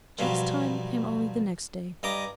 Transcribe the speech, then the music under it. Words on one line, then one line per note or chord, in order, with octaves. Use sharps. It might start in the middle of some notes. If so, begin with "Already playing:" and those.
Jack's time came only the next day.
G2 B2 F3 F#3
G2 D#5 A#5 D6 D#6